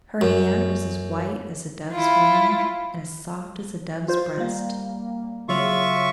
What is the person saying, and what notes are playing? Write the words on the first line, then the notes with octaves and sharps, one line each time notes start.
Her hand was as white as a dove's wing and as soft as a dove's breast.
F#2
E4 F4
F4 C5
G3 A#3
C#3 F#3 F4 E5 C#6